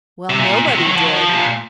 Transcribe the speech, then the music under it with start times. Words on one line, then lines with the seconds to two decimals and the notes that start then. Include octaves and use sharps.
Well, nobody did.
0.30 C3
0.40 A#2
0.68 C3
0.78 D#3
0.87 F#3
0.96 F3
1.05 F#3
1.15 F3
1.28 C3
1.36 A#2